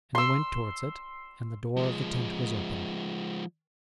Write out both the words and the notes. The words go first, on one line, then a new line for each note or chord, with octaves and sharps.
And he went towards it; and the door of the tent was open.
C6 E6
F3 G#3